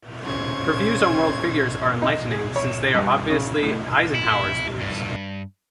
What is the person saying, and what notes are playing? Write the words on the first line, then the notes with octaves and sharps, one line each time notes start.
Her views on world figures are enlightening, since they are obviously Eisenhower's views.
C#3 C5 C#6 G#6
D#4
G#4
C#5
G2
C#3
A2
E4
G2